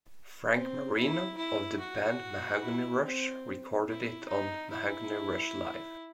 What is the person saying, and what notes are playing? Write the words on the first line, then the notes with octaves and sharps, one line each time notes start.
Frank Marino, of the band Mahogany Rush, recorded it on "Mahogany Rush Live".
C4
E4
E4
F#4
E4
C4
E4
D#4
E4